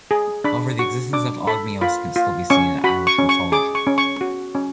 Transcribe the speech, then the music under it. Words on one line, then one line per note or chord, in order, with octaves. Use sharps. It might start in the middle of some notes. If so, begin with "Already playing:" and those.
However the existence of Ogmios can still be seen in Irish mythology.
G#4
D4 B5
F#4 C#6
D4 D6
A4 B5
F4 B5
F4
C#4 C#6
F#4 B5
C#6
C#4
C#6
G#4 D6
C#6
C#4
C#6
F#4
C#4